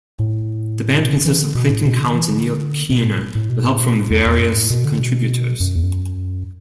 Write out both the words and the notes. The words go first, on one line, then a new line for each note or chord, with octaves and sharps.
The band consists of Clayton Counts and Neil Keener, with help from various contributors.
A2
B2
D3
E3
D3
B2
A2
B2
D3
E3
D3
B2
A2
A2
B2
A2
B2
A2
E2
E2
F#2
A2
B2
D3
B2
F#2
E2
F#2